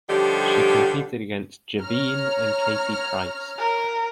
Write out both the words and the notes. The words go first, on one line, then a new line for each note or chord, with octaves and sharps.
She competed against Javine and Katie Price.
D3 F3 G3 D#4 G4 C#5
C#5 A#5 F6
A#4